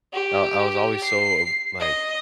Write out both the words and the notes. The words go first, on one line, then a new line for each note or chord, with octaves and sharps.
I I was always so ob like
G4
C7
D#5